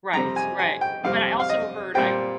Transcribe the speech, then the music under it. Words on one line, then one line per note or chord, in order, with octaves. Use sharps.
Right right. But I also heard I
F2 C3 G3 C4 A#5
G#5
G#5
G5
F2 C3 G3 C4 F5
F5
D#5
A#2 G3 C4 G5